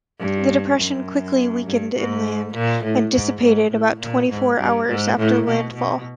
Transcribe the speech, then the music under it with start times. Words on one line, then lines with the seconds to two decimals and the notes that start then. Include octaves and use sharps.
The depression quickly weakened inland, and dissipated about twenty-four hours after landfall.
0.20 G2
0.79 F#2
1.66 G2
1.96 G#2
2.54 A#2
2.84 A2
3.13 G#2
3.41 G#2
3.71 A2
4.00 A#2
4.30 G#2
4.59 G2
4.88 G#2
5.18 A2
5.47 B2
5.75 B2